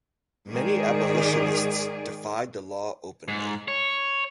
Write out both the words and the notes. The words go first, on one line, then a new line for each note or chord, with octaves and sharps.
Many abolitionists defied the law openly.
G#2 D#3 G#4 D5
G#2
C#5